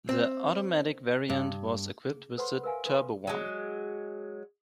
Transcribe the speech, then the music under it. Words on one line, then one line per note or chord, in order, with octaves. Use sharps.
The automatic variant was equipped with the Turbo One.
C4
G2
G#4
A4 B4 C5 F#5 B5 C6
A#4 B4 E5 F5 G#5
A4 B4 F5 B5 C6
F#3 G#3